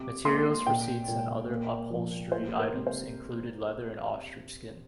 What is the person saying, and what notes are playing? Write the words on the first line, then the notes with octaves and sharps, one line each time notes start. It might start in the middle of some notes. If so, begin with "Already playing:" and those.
Materials for seats and other upholstery items included leather and ostrich skin.
Already playing: C3 D6
A#3 C6
A#2 G5
A#2
A#3
F3
A#3 C5
A#4
C3
C5